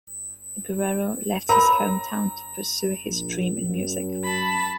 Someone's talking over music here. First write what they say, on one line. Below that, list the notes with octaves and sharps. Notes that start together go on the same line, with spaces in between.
Guerrero left his hometown to pursue his dream in music.
A#4 C#5 A#5 B5
A#1
F#2
A5 B5